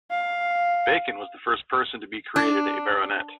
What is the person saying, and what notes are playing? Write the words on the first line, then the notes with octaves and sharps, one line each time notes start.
Bacon was the first person to be created a baronet.
F5
D4